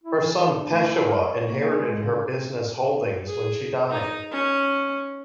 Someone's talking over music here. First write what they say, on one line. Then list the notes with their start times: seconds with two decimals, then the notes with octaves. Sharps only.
Her son Peshewa inherited her business holdings when she died.
0.03 E4
0.20 E3
0.35 E3
0.50 D4
0.69 A3
0.90 E4
1.09 A#4
1.24 C#5
1.47 A#3
1.65 G#4
1.81 G#3
2.00 C#3
3.27 G#4
3.90 D#4
4.31 C#4